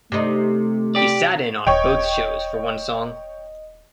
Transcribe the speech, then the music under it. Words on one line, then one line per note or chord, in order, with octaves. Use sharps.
He sat in on both shows for one song.
C3 A3 D#4
G4 D5
D#1 C#5 D#5 G5